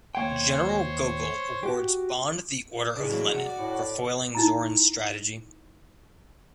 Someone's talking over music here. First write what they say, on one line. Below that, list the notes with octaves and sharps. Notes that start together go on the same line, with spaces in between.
General Gogol awards Bond the Order of Lenin for foiling Zorin's strategy.
D#2 A#3 C5 C#5 G5
F#4 G4
C#3 G3 D4 E4 G#4
E3 F#3 A#3
C3 F#4
D5
A2
D#4 E4 A#5